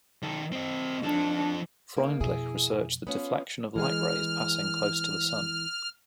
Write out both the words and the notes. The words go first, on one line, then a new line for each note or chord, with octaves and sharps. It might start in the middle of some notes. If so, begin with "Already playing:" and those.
Freundlich researched the deflection of light rays passing close to the Sun.
D#3 A4
C4 D#5
F3 D4 A4
A#3 D#4
F2 B2 E4 G#4
B3 C#4 F4
E3 G#3 G#4 F6